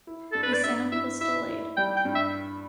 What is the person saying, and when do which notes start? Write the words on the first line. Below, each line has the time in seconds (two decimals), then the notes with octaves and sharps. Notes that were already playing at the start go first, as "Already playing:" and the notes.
The sound was delayed.
0.07 E4
0.32 G2 A4
0.43 B4
0.53 D5
0.64 G2 E5
0.92 E4 E5
1.21 E4 E5
1.49 E4
1.77 G3 G5
1.96 G5
2.05 G2
2.15 E5